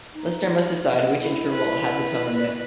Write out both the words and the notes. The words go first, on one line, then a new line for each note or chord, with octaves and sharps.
Listener must decide which interval had the tone in it.
D#4
F#5
E4
B4